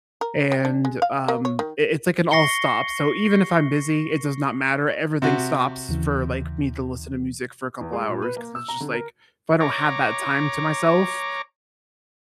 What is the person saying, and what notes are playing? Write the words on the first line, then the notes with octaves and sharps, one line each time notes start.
and, um, it it's like an all-stop, so, even if I'm busy, it does not matter, everything stops for, like, me to listen to music for a couple hours 'cause it's just like if I don't have that time to myself,
A#4
G3
D4
G#3
F5
A#3
C#5
D#3
C#6 A#6 C7 C#7 G7
C3 F#4
D#2 C#3 E3
E2
G#3
A#2
B4
A#3
E6
A#5
D3
A#4
C#5 A#5 D6